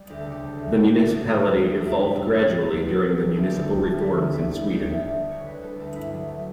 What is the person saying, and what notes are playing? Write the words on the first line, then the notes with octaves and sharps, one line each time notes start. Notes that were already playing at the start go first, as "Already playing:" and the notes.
The municipality evolved gradually during the municipal reforms in Sweden.
Already playing: G3
D2 G4
A4
C#3
G4
G3
D2
A3 F#4
G4
C#3 F#4
E3 G4
F#2
A3 F#4
C#3 D4
E4
E3 D4
E4
F#2
C#2 B4
B2
F#3
C#2
C#2 B4
B2
F#3 B4
C#2
D2 A4
G4
D3 A4
G3
D2
D2 E4
D3
G3 E4
D2
D2 G4
D3
E5
G3
D5
D2
D2 C#5
D3 B4
G3 A4
D2 A4
G2 E4
F#3
A3